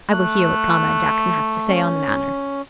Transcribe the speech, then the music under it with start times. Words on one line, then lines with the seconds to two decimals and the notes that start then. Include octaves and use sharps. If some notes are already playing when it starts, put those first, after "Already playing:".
I will hear what Comrade Jackson has to say on the matter.
0.11 A3 F#6
1.69 C#4